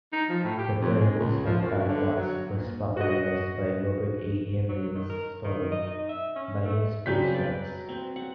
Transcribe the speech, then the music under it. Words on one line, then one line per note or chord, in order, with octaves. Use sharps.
The term bootstrap paradox was popularized by Robert A. Heinlein's story "By His Bootstraps".
D#4
F3
A2
G4
F2
G#3
C#2
F3
F#2
D3
F#3
A#2
F#4 D#5
F#3
D#3
A#4
D#3
D#5
D#4
E5
C#4
A3
C#3 F#3 G3 C4 G6 B6
B4 D5
C4
F#5